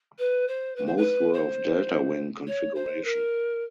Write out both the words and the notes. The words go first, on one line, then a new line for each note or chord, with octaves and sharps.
Most were of delta wing configuration.
B4
C5
B4
C5
B4
C5
C#5
C5
A#4